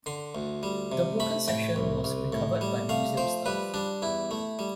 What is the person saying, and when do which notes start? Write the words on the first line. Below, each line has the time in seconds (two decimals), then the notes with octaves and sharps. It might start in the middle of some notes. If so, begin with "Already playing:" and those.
The broken section was recovered by museum staff.
0.06 D3 C6
0.35 D2
0.63 G3
0.92 C3
1.20 A3 B5
1.48 A2 G5
1.76 C2
2.04 C2
2.32 A2
2.61 G3
2.89 A3 F5
3.17 F3 C5
3.46 G3 B4
3.74 G3 D4
4.02 E2 E4
4.31 A3
4.59 G3